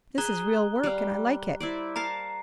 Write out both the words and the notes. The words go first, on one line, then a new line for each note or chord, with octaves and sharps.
This is real work, and I like it.
G#4 A#5 F#6 G7
G3 F5
E4 C5 D5
A#4 F5 A5 A#5 C7